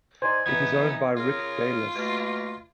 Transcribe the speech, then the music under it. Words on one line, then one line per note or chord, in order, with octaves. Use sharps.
It is owned by Rick Bayless.
D#4 C5 D5 G#5
E3 B3 D#4 G#6
C#3 F4 G#4 A#4
B2 A3 A#3